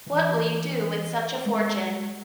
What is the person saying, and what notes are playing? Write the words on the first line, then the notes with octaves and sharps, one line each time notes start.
What will you do with such a fortune?
E3
G#3